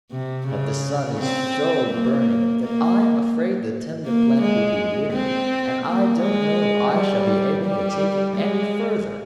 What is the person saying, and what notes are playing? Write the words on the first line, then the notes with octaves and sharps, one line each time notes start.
But the sun is so burning, that I am afraid the tender plant will be withered, and I don't know if I shall be able to take it any further.'
C3
C#3
C4
A#3
A#3
A#3
G#3
C4
A#3
G#3
G3
G3
G#3